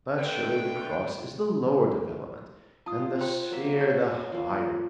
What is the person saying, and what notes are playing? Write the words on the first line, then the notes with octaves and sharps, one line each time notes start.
But surely the cross is the lower development and the sphere the higher.
D3 D#3 A3 B4 G5
F4 A5 D#6
C5 G5 C6
F#3 A#3 E5
C#4 D#4 F#4 C#5
F3 A#3